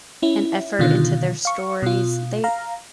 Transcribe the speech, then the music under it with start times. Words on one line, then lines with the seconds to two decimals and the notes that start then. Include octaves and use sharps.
and effort into their stories, they
0.22 C#4 E4
0.79 B2 D3 D#3 F4
1.45 F5 C#6
1.82 B2 F4
2.44 F5 A#5